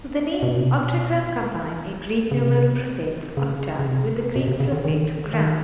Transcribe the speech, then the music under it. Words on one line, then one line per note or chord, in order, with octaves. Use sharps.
The name "octagram" combine a Greek numeral prefix, "octa-", with the Greek suffix "-gram".
B2
C3
B2
C#3
C3
C#3
C#3
C3
B2
C3
C#3
D3
D#3
D#3